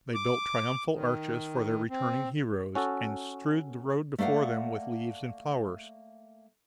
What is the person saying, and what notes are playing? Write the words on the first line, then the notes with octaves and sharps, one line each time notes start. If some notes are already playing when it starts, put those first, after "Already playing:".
They built triumphal arches for their returning heroes, and strewed the road before them with leaves and flowers.
D6
D#3
C4
C#4 F#4 A4
A3 A#3 D5 F5 F#5